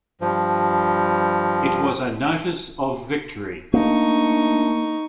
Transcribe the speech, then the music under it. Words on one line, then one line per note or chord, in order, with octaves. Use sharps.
It was a notice of victory.
G2 F3
A3 A#3 D4 D#4 C#6